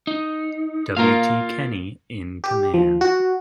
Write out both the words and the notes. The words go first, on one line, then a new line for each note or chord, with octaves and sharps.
W. T. Kenny, in command.
D#4
A#2 F4 A#4 F5
G4
F3
F#4